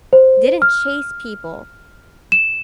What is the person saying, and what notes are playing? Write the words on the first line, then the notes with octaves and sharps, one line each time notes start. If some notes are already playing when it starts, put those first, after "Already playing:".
didn't chase people
C5
F6
E7